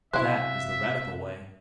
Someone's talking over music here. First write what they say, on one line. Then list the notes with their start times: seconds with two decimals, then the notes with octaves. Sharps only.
That is the radical way.
0.13 C3 F#3 E4 C5 E5 F5 F#6